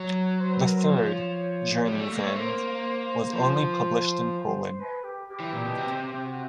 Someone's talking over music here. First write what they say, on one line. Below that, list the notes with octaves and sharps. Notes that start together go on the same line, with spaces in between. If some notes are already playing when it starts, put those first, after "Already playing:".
The third, Journey's End, was only published in Poland.
Already playing: F#3 C#5
C5
B4
A#4
C5
F3 C#5
G3
A3
A#3
A3 C#5
A#3 C5
F3 C5
B4
G4
G4
E3
A#2
B2
C3
F#4